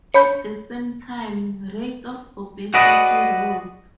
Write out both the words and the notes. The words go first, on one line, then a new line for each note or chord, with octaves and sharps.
At the same time, rates of obesity rose.
C#5 B5 G6
F#4 G#4 B4 D5 D#5